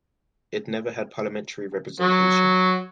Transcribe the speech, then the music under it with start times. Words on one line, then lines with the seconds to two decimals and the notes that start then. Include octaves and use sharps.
It never had parliamentary representation.
2.01 F#3